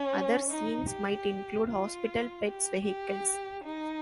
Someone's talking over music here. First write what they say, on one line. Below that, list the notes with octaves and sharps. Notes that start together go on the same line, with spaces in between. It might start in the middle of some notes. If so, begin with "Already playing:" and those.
Other scenes might include hospital, pets, vehicles.
Already playing: C#4
D#4
G4
F4
G4
G4
D#4